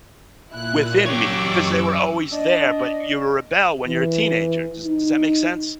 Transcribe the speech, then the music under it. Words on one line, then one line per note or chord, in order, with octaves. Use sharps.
within me because they were always there, but you rebel when you're a teenager, does does that make sense?
A#2 E4 F#6
F#2 G4 C#5 C#6 D6 E6
D4 D5 D#5
E3
D#4